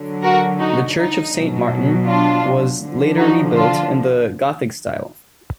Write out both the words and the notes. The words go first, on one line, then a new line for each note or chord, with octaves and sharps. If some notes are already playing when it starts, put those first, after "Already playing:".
The church of Saint Martin was later rebuilt in the gothic style.
Already playing: D3 F#3
F#4 A#4
D#4 F#4
D#4
B2 F#3
D4 F4
D3 F3
D#4 F#4
D4 F4